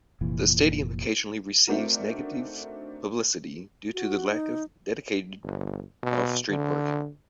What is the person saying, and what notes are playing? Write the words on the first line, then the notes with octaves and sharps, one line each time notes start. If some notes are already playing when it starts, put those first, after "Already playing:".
The Stadium occasionally receives negative publicity due to the lack of dedicated off-street parking.
F1 A#2 E3
A3 C4 D4 D#4 F#4 A#4
F#4
D#4
G1
B2
D3